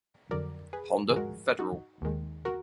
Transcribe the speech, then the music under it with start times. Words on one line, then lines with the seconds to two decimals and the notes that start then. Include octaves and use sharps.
Honda Federal.
0.31 F2 D3 F#3 A#4 D5
0.73 G#4 B4
1.09 G#4
1.16 G#2 F3 G#3 F#4 A#4
1.59 D#4 F#4
2.02 D#2 D#3 G#3
2.45 F#4 A#4